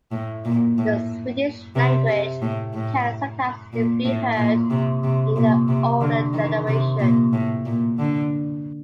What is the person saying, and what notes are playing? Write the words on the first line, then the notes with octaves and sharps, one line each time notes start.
The Swedish language can sometimes still be heard in the older generation.
A2
A#2
A2
C3
C3
A2
A2
A#2
A2
A#2
C3
C3
A#2
C3
D3
D#3
C3
A#2
A2
A#2
D3